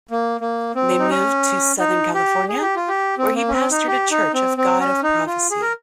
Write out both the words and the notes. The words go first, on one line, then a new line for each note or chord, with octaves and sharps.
They moved to Southern California, where he pastored a Church of God of Prophecy.
A#3
A#3
C4
D#4
C#4
D#4
G4
G#4
G4
F4
G4
C4
A#3
C#4
C4
D#4
G4
D#4
C4
C4
C#4
D#4
F4
G#4
A#4